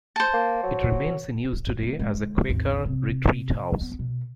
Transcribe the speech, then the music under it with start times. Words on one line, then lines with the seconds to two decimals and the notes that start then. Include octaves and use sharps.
It remains in use today as a Quaker retreat house.
0.16 C5 A5
0.34 A#3
0.63 F#3
1.79 G3 A#3
1.99 D3 G#3
2.48 G#1 D#2
2.85 C3
3.81 B3
3.99 B2